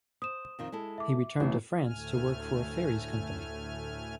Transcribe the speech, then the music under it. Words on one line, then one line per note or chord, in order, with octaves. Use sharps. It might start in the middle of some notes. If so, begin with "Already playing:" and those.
He returned to France to work for a ferries company.
C5 D#6 E7
F2 D#3 F4
G#3 E4 A4
E5 D6
A1 C3
D2 A2 A3 G#5 F6